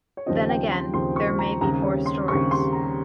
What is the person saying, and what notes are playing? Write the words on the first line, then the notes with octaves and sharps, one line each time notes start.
Then again, there may be four stories.
C#5
D#2 C#3 F3 C4 D#5
G5
C6
D#2 C#3 F3 C4 C6
C#6
A#5
D#2 C#3 G3 C4 A#5
C#5
C6
D#2 C#3 G3 C4 C#6
C6
A#5